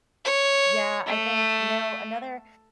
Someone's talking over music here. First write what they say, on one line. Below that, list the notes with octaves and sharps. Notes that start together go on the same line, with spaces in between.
Yeah, I think no, another
C#5
A3